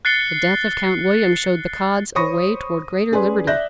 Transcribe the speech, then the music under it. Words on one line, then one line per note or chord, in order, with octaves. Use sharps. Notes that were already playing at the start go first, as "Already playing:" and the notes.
The death of Count William showed the Cods a way toward greater liberty.
F#6 A6 C7 C#7 G7
C5 C#5 B5 C#6 D#6 A#6
C#4 G#4 B4 D5 C6
D5 E5 F#6 G6 A#6